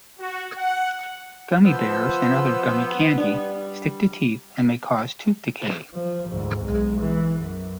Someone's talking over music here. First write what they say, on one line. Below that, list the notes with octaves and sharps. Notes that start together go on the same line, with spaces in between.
Gummy bears, and other gummi candy, stick to teeth and may cause tooth decay.
F#4
F#5
F3 B3 C5 E6
G3 D4
F3
D2 G#2
B1 G#3
E3
F#2